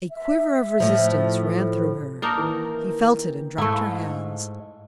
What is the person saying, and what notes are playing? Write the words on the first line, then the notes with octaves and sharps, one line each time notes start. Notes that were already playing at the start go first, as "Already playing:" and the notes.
A quiver of resistance ran through her: he felt it and dropped her hands.
E5
A2 F3
A#3 D4 D#4 A#4 A#5
D#3 E3
G#2 A3 E4 F5